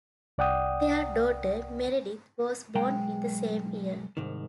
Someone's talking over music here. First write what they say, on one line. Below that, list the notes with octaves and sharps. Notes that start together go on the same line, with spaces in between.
Their daughter Meredith was born in the same year.
C2 D5 F#5 G5 D#6
B1 G#3 G5 A#5
C2 G#2 D#3